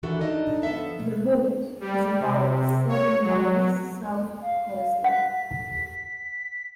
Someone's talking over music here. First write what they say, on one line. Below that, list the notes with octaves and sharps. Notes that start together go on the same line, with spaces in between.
The village is about seven miles south of Colchester.
D#3 E3 D4 E4 F#4 A4
D4 D#4 A4 D5 D#5
F3 B3 A4 E5 A5
B2
G3
C3
C#5
F#3
F5
F#5 B6